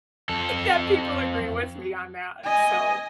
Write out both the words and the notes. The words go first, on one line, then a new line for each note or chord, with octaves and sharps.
that people agree with me on that, so
F2 A4
D#5 G#5